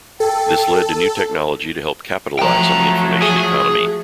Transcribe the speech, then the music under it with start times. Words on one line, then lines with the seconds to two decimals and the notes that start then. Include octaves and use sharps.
This led to new technology to help capitalise on the information economy.
0.20 A4 G5
2.39 F3 F#3 A3 G5 A#5
3.22 G#4 G#5